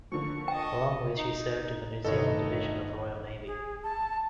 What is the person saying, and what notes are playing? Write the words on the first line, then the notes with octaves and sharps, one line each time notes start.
Along with she served in the New Zealand Division of the Royal Navy.
D3 F3 A#3 C#6
D#5 G5 A5
D#4
G1 A2 D#3 D#4 A4 C#5 D#5
G#4
A5